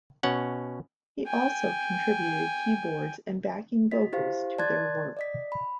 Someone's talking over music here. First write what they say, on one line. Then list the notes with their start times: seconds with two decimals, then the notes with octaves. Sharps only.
He also contributed keyboards and backing vocals to their work.
0.23 B2 C#4 F#5
1.28 G5 G#5
3.91 F#4 D#5 B6
4.13 E4 G4 C5 F5
4.58 D5 A5 C6 F#6 G#6 A6
5.17 D5 D#5 B6
5.52 B5